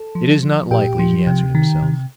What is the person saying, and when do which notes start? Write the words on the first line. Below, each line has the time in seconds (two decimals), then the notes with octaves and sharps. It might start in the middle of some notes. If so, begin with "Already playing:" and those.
"It is not likely," he answered himself.
Already playing: A4 A5
0.15 F3
0.43 F3
0.71 A#2 G4 G5
0.99 F3
1.27 C3
1.55 D#3
1.82 C3